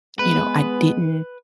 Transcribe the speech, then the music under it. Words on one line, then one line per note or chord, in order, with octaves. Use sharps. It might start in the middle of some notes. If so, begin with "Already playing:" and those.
you know, I didn't
G#3 B3 B4